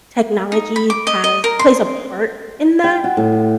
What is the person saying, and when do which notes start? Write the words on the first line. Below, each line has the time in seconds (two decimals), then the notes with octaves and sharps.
technology has plays a part in that?
0.52 D#4
0.76 B5
0.90 D6
1.07 D#5
1.24 D#5
1.44 A#4
1.59 C6
2.84 G5
3.04 F#4
3.17 A2